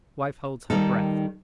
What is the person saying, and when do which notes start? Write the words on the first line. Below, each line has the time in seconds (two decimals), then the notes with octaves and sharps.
Wife holds her breath.
0.70 D#3 G3 D#4 A4